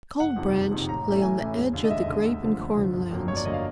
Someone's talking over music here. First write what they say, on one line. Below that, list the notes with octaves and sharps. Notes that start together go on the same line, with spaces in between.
Cold Branch lay on the edge of the grape and corn lands.
F#1 F#5
F2 C3 D#3
F#1
F2 C3 D#3
A1 A#5
A2 E3 A3 C#4
A1 G#5
A2 E3 A3 C#4
E1
D#2 D3
D#5
E1 E5
D#2 D3
D2
D3 F3
D2
D3 F3
G1
F2 D3 F#3 A#3
G1 C#5
D5
F2 D3 F#3 A#3 D#5
F5